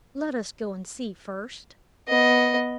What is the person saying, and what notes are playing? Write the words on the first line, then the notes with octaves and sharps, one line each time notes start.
"Let us go and see first."
B3 D#5